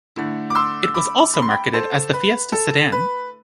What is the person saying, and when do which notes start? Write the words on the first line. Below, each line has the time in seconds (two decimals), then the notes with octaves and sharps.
It was also marketed as the Fiesta Sedan.
0.16 D3 A3 E4
0.50 D6
0.55 C6 E6
0.83 E6
0.94 B5 D6
1.34 B5
1.42 C6
1.50 G5 B5
1.73 A4 C5
2.13 B4
2.52 A4
2.92 B4